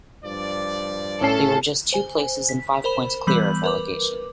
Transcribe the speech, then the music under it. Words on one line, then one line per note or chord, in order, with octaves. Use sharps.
They were just two places and five points clear of relegation.
G2 F3 D5
A2 C#4 A4 C7
C5 G#5
B6
A#4 C5 B5 E7
E3 G3 B3 B5 G6 F#7
A#4 B4 D6